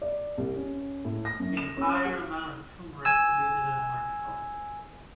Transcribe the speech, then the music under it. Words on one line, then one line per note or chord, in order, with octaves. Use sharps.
A higher amount of turmeric produces an orange color.
D5
C2
C#4
A2
A#6
F#2
E7
C#4
F#4
G#5 E6